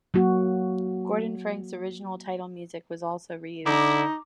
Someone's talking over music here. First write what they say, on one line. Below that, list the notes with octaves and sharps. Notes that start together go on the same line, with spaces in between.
Gordon Franks' original title music was also re-used.
F#3 A#3 F#4
D3 D#4 E4 A#5 D6